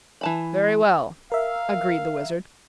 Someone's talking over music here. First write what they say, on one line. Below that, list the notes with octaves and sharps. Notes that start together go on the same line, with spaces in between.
"Very well," agreed the Wizard.
E3 A5 B5
A#4 E5 F5